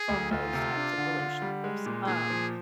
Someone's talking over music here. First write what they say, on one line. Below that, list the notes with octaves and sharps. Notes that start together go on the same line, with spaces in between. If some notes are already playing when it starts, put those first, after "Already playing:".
from those types of relationships. Um,
Already playing: G#4
D2
D2 F4
C3
D4
D3
D3
G3
G#3
A#2
A#2 G#4
F3